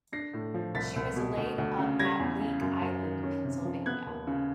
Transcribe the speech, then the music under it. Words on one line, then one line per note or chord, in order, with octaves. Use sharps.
She was laid up at League Island, Pennsylvania.
D4 A#6 C7
A2
F3
C2 A6 B6
C2
B2
D2
D2
C#3
G3 G#6 A#6
E2
C#3
F#2
F#2
D#3
C#4
C3
F3
B3 F#6 G#6
D#2
C#3